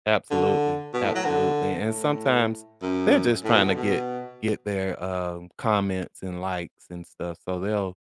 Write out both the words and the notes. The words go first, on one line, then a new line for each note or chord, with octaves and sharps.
Absolutely. Absolutely, and sometimes they're just trying to get get their, uh, comments and likes and stuff, so they'll
D3
B2
A2
F#3
D3
A2
F#2
A2
B2
D3
B2